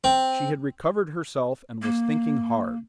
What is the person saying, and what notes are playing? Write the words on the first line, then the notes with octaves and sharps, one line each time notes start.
She had recovered herself and was thinking hard.
C4
A#3